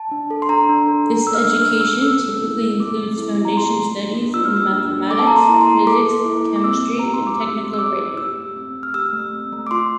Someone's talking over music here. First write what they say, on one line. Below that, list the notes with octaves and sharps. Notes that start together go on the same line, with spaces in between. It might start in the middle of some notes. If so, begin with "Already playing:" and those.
This education typically includes foundation studies in mathematics, physics, chemistry, and technical writing.
Already playing: A5
D4
A4
C6
D4 A#5
D4
A4
A4
D4 E6
F6
D4 E6
F6
A4 E6
F6
A4 E6
A4 E6
C4
E4
C4
A4 D6
C4
E4
C4
A#5
F4 C6
A#3
D4
A#3
F4 E6
F6
A#3 E6
D4
A#3
A4 D6
A5
A#3 A#5
C6
E4 A#5
C6
A#3
A4 D6
A#3
E4
A#3
D6
C4 E6
C4
G4 A#5
C6
G4
D6
C4 E6
C4
E6
G4 D6
G4
G4 E6
A3
C4
A3
F6
G4 E6
A3
C4
A3
D6
F4 C6